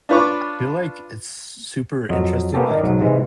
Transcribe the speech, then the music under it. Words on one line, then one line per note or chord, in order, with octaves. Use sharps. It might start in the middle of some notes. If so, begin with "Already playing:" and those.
I feel like it's s super interesting, like,
D4 F4 B4 C#5 C#6 D6
F2 F#3 D#5
A#3 B3 C#4 G4 A4
D#3 D#4 A#4 D5
B1 G#2 F#3
G#2 C3 E3 G#3